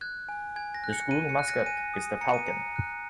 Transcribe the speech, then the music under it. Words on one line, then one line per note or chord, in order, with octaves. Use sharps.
The school mascot is the Falcon.
F#6 G#6
G#5
G#5 G#6
A#6
F#6
C#7
F#6 D#7
C#7
F#6
A#6
G#5 D#7
D#6
A#5 C#7
D#7
A#5 C#7
F#6